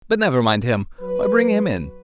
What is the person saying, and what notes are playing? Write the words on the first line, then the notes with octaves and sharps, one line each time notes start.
But never mind him, why bring him in?
F#3 B4